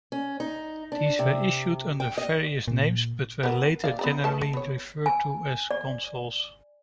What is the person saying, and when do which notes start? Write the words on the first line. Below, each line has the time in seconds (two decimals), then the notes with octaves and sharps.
These were issued under various names but were later generally referred to as Consols.
0.12 C#4
0.40 D#4
0.92 D4
1.19 C3
2.00 G5
2.18 D#5
2.68 A#2
3.43 B3 A#4
3.84 D5 F5
3.99 B3 D5 A#5
4.24 A3 B4 A5
4.54 B3 C#5
5.06 G#5
5.71 D5